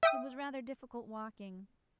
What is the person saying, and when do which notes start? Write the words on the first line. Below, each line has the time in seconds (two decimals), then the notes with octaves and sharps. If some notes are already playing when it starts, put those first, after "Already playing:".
It was rather difficult walking.
0.03 E5 G5 D#6